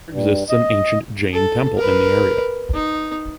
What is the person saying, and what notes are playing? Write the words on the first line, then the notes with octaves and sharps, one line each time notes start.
There exists an ancient Jain temple in the area.
G2
D#5
A4
A#4 B4
D#4